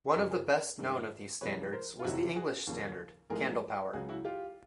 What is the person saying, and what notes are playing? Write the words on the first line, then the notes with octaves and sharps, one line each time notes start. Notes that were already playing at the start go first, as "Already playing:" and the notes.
One of the best-known of these standards was the English standard: candlepower.
G1 F#2 C#3 F#3 G4 A4
G#4 A#4
G2 D#3 G#3
C2 C3 F3 G#3 B4 C#5
A#4 C5
F4
F#1 F2 C3 D#3 F#3 E4 F#4
F#4 G#4
D#2 C#3 F3 A#3
A1 G#2 F3 A3 G#4 A#4
C#2 C#3 F#3 F#4 G#4
E4 F#4
F4 G4